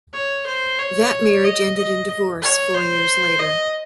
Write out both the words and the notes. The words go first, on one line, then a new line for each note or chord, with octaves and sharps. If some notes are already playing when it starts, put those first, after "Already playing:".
That marriage ended in divorce four years later.
C#5
C5
C#5
D#5
D#5
C#5
C5
D#5